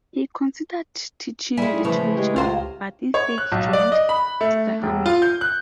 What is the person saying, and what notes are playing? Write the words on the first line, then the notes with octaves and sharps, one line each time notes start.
He considered teaching literature but instead joined the Army.
G3 G#3 E4 G#5
A2 C#3 E3 F3 C#6
G#3 G4 C#5
C#2 F4 C5 F5 A#5
C#5
F#6
B1
D5
D#5
B5
A3
E1
F4
G6
F#6